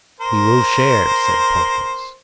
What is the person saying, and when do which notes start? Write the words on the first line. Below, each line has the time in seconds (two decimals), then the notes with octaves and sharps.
"We will share," said Porthos.
0.20 A#4 C5